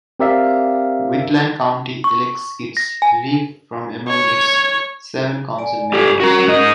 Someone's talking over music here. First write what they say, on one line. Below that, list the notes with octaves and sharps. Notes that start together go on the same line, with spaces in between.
Wheatland County elects its reeve from among its seven council members.
C4 G4 A#4 D5 E5 F5
C#6
A#6
G#5
C#5
D5 G#5
G4 A4
C#4 F#4 A#4 A#5
G#2 D#5